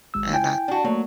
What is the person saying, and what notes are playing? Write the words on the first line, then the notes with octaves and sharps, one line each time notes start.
and I I
G#1 G#3 E6
E4 G5 G#5
D4 F#4
F#3 A3 A#3